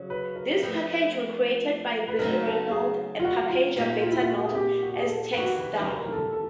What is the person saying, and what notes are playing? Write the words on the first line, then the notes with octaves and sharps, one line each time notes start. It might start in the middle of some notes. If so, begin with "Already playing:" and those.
These packages were created by Bill Reynolds, a packager better known as "Texstar".
Already playing: C#3 F#3
B4
A#4
F3 A3 C4 D#4 B4
B4
C#3 F#3 A3 C4 D#4 A#4
A4
G#4
F4
F#4
F4
A#2 G3 A#3 D#4 F4
F4
E4
F4
F#4
G#4
G4
F#4
G4
G#4
A4
E3 G3 B3 D#4 F#4 B4
B4
A#4
A#4
A4
A4